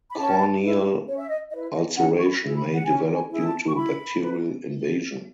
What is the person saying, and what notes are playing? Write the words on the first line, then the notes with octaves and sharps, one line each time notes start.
Corneal ulceration may develop due to bacterial invasion.
B5
C#4 A5
E4 B4
C#4 C#5
E5
D#5
E4 B4 D#5
D#5
C#4 F#5
C#6
B5
E4 G#4
B5
F#5
C#4 G#5
G#5
E4 G#4
A5
C#6
E4 B5
B4